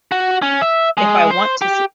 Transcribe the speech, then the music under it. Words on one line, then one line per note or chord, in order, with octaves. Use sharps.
if I want to see."
F#4
C#4
E5
G#3
C5
G4